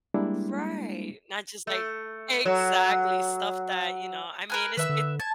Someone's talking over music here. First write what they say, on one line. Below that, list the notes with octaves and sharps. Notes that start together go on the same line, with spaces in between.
Right. Not just, like Exactly, stuff that, you know I mean, it's it
G3 G#3 A#3 D4 E4
A3
F#3
A#4 B4 G#5 F6
D#3 B4 E5 E6
D3
A5 G#6